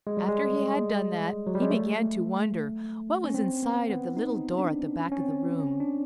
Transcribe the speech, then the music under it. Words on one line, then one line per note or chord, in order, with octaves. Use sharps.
After he had done that, he began to wonder what was inside of the little door at the back of the room.
G#3
G3
G#3
F#3
G3
G#3
A3
C#4
C4
B3
B3
D#4
D4
C#4
C#4
C4
C#4
D4